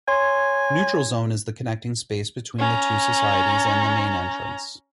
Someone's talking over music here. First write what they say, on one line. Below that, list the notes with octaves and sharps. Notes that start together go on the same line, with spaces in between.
Neutral Zone is the connecting space between the two societies and the main entrance.
C#5 G#5 C6
C#4 A#5